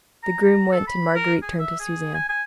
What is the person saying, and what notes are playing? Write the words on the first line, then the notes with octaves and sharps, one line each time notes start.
The groom went, and Marguerite turned to Suzanne.
A#5
A#5
A4
B5
A#4
G#4
E5
G#4
G#5
G#5